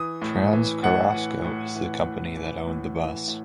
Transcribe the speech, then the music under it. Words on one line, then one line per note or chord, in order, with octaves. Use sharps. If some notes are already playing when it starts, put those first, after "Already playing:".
Trans Carrasco was the company that owned the bus.
Already playing: E3 D#6
A2
E3
A2 F#5
E3
A2
E3
A2
E3
A2
E3
A2